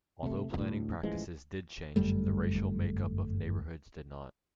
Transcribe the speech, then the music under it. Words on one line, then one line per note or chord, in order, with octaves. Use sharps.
Although planning practices did change, the racial make-up of neighborhoods did not.
C3 A3
D2 A2
A1 E3 F3 G#3
G1 F#2 G3 A3